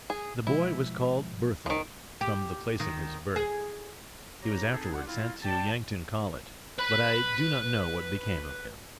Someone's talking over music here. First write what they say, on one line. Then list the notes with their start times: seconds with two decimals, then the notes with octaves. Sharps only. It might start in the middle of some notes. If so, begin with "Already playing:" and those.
The boy was called Berthold, from the place of his birth. He was afterward sent to Yankton College, but I do not know what became of him.
0.10 G#4
0.47 B2 F3 G#3 E4
1.66 D#3 F3
2.21 G4
2.80 D#3
3.36 G#4
4.42 D4 D#4 G4 C#5 A#5
4.72 C4 D#4 G#4 A4
4.93 D4 F4 G4 D5 F#5
5.06 C4 E4 F4
5.43 D5 G5 A5
6.79 B4 B5